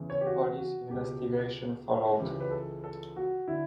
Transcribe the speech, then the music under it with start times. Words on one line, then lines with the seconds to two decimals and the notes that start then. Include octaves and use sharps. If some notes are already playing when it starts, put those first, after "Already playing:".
Police investigation followed.
Already playing: E2 C#3 E3
0.10 C#5
0.21 G4
0.26 F#4
0.58 F#4
0.90 C#2 B2 G4
2.19 C#2 C#3 E3 G4
2.40 B4
2.51 A4
2.84 A4
3.16 F#4
3.48 D3 E4